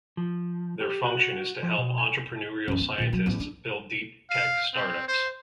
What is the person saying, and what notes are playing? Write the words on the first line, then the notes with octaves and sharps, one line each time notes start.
Their function is to help entrepreneurial scientists build Deep Tech startups.
F3
G4
F#4
F3
B2
G#5
F#2 E3
B3
A#2 D#3
F#3
A1 E2
D4
F5
C4
C5